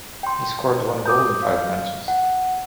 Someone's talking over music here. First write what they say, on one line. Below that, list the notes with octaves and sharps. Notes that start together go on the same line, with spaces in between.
He scored one goal in five matches.
G5 C6
C5
D6 D#6 G6
F5
F#5